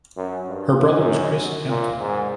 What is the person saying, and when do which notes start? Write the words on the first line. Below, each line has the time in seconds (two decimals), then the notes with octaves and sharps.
Her Brother is Chris Hampton.
0.17 F#2
0.47 G2
0.77 F#2
1.68 A#2
1.99 G#2